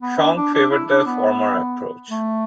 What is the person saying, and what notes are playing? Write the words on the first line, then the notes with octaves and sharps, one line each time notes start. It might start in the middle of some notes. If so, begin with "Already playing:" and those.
Sonck favoured the former approach.
B3
D4
D4
D4
E4
D4
B3
A3